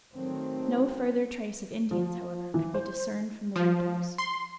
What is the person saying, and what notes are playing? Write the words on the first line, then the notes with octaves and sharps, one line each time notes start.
No further trace of Indians, however, could be discerned from the windows.
D#3 F#3 A3 C4
F3
E3
C5
F3
C6